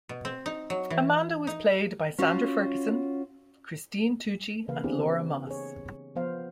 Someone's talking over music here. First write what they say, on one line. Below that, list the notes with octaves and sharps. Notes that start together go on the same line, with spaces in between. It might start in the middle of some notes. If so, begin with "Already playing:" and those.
Amanda was played by Sandra Ferguson, Christine Tucci, and Laura Moss.
B2
C4
D#4
F#3
E3
D#4
C#4 F4 F#4
C#3 E3 A#3 B4 F5
B3 C4 D4 E4 G4 G#4
G#4 C#5
F3 B3 C5 F5